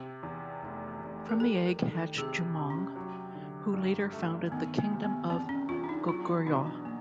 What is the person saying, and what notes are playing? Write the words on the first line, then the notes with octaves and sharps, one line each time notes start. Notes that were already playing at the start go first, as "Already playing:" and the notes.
From the egg hatched Jumong, who later founded the kingdom of Goguryeo.
Already playing: C3
E2
F1
F1
A#4
G3 A4
A#4
D#3
A4
C3 G#4
C3
C#4
F#3
D3
G2
A3
D#3 B3
A#3
C3
B3
E2 C4
C#4
E2 F4
D4
D#4
F#3 F4
E4
B2 D#4
D4
A#3